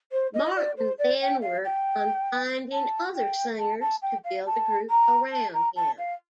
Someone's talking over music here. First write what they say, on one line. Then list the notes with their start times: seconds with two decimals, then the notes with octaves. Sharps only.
Martin then worked on finding other singers to build a group around him.
0.12 C5
0.34 D#5
0.56 D5
0.77 C5
0.98 D5
1.21 G5
1.42 F5
1.64 G5
2.72 A5
3.16 G5
3.59 A5
3.81 A5
4.02 G5
4.24 F5
4.46 A5
4.90 A#5
5.32 A5
5.54 A#5
5.76 A5
5.98 F5